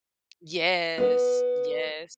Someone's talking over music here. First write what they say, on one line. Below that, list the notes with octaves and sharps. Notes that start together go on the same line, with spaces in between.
Yes, yes.
B3